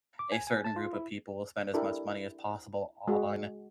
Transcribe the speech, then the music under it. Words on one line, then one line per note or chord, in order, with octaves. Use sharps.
a certain group of people will spend as much money as possible on
D6
G#5
G#5
A5
F4
E4
D4 E4 G4 A4 A#4
G#3 F#4